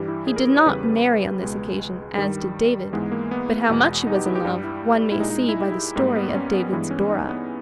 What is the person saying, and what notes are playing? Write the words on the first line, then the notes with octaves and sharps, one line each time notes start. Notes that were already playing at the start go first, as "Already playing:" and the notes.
He did not marry on this occasion, as did David, but how much he was in love one may see by the story of David's Dora.
Already playing: G2 E3 G3 G4
E4
G#4
A#4
B4
C#5
E2 C#3 G3 B4
B4
C#2 B2 G#3
G2 D#3 G3
G#2 E3 G#3 B3
A#3
B3
E2 B2 G#3
D#4
G4
E4
G4
G2 G3
E4
E4
A#2 G#3 D#4
D#4
E4
G4
E4
G#2 G3 A#3
B3
C#4
B3
G2 E3 G#3 B3
C#4
D#4
B3